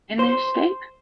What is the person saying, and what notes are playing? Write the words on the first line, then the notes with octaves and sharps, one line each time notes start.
Can they escape?
C5